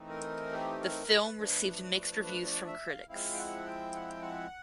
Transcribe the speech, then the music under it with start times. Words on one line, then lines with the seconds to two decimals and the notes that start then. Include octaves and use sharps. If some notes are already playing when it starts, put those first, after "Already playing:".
The film has received mixed reviews from critics.
Already playing: E3 A3 C4 D#4
0.10 A#4
0.53 G4
0.81 A#4
1.09 B4
1.38 F3 A3 D4
2.24 B4
2.45 D5
2.67 E5
2.87 F5
3.09 F3 G#3 C4 E4 F5
3.33 G5
3.38 F#5
3.67 G5
3.95 F#5
4.08 G5
4.22 F#5